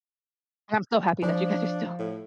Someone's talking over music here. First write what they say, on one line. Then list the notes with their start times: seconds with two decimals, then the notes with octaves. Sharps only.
and I'm so happy that you guys are still
1.22 F3 D4
1.99 A2